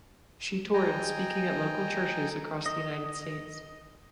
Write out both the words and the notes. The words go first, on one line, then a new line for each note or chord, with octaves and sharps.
She toured speaking at local churches across the United States.
D#5 G5 G#5 A#5
D#5